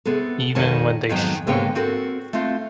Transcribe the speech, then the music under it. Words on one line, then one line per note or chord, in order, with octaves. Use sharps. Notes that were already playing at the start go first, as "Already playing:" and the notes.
even when they should.
C3 B3 G#4 A4
F2 D#3 C#5 A5
F2 G#2 D#3 F#3 B3 G5
G#2 D3 A#3 B3 C#5 G5
C4 F#4 A4 A#4
A3 C4 F4 F#4